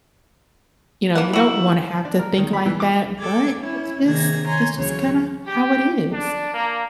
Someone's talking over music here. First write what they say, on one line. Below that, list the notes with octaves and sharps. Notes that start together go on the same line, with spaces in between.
you know, you don't wanna have to think like that, but it's just it's just kinda how it is.
E3 A#3 F#5
E3 E4 F#4
D4
A#4
D#3
B5
E3
D6
A4 D6 G#6
C#4 E4
C3 D#3 A#3 G#4 G#6 A#6
C#5 G#5 A#5 C6
D2 C#3 E3 F#3 C#5
G4
D4
A#3